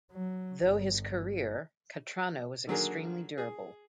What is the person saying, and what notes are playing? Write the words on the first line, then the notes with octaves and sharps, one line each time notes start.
Though his career, Cattrano was extremely durable.
F#3
G1
D3 D#3 F#3 A#3 G#4 A#4
G#4